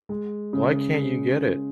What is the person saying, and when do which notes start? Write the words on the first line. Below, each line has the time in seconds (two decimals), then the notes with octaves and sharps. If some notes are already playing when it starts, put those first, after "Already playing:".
Why can't you get it?
0.09 G#3
0.53 C#3